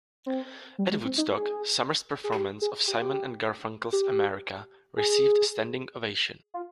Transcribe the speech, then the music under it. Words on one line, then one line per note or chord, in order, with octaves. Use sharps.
At Woodstock, Sommer's performance of Simon and Garfunkel's "America" received a standing ovation.
C4
G3
G#3
C4
D#4
G#4
G#4
G4
G#4
G4
F4
G4
G4
G#4
F4